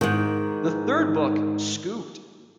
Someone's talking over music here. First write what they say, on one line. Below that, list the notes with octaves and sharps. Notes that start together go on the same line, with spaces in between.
The third book, Scooped!
G#2 D#3